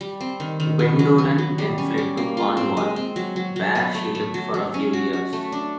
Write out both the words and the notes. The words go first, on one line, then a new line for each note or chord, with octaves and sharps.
Gwendolen then fled to Cornwall, where she lived for a few years.
G3
C4
D#3
D#3
B3
F#3
B3
F#3
G3
C#4
G3
A#3
F4
C4
G#3
C4
F#3
F#3
F#3
B3
A3
A3
F#3
F#3
C#4
F#4
F#4
A3
D4